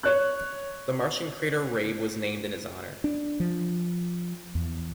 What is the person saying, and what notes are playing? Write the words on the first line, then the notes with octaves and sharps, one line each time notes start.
The Martian crater "Rabe" was named in his honor.
C#5 F#6
D4
F3
E2